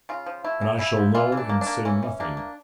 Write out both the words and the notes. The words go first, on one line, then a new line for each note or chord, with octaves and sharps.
And I shall know and say nothing.
C#3 F4
F3
A3 E4
C#3
C#3 E4
F3
E3 F4
E3
D4
A#3
D4
A#3
E3 C#4
E3
A#3 D4
A#3